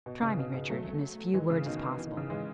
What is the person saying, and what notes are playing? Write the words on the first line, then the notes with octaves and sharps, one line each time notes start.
"Try me, Richard, in as few words as possible."
B2
C#3
B2
C#3
F#3 A3
E3 G#3
C#3 E3
B2 D#3
E3
D#3
C#3 E3
E3 G#3